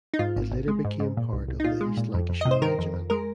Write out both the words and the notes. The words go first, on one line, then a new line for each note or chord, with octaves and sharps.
It later became part of the East Lancashire Regiment.
D#4
G#2 F4
G#1
G#1
G#3
G#2
G#2
A#2
C2
C2
D#4
A#2 F4
G#3
A#2
F2
F2
C3 D#5
C5
D#3 A#4
F2
F2
G#3 A#4